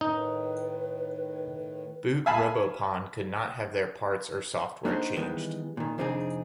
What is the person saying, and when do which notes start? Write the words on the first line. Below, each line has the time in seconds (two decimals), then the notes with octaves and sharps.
Boot Robopon could not have their parts or software changed.
0.01 A2 D#3 D#4 B4
2.26 E5 F5 G#5 A5 B5
4.85 A#3 D4 D#4 F#4 G#4 C5
5.16 D#3 E3 G3 G#3 B3
5.77 A#2 D#3
5.98 F2 C3 C4 D4 D#4 G#4